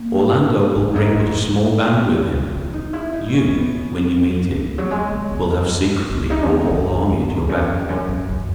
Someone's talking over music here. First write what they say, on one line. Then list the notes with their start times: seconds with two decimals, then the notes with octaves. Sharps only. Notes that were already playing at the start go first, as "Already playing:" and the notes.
Orlando will bring but a small band with him: you, when you meet him, will have secretly your whole army at your back.
Already playing: A#3
0.76 B3
0.96 D#4
1.15 D#4
2.54 E4
2.73 D#4
2.93 E4
3.13 D#4
3.33 C#4
3.48 C#4
3.53 B3
4.64 E3
4.78 F#3
4.91 G#3
5.11 G#3
5.31 B3
6.10 B3
6.30 D#4
6.50 G#3
6.70 D#3
6.89 E2
7.09 F#2
7.29 E2
7.49 F#2
7.69 E2
7.89 F#2
8.09 F#2
8.29 F#2